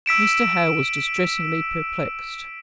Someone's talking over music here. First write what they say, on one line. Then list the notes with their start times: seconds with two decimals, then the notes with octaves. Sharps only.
Mr. Hale was distressingly perplexed.
0.06 E6 B6 D7 E7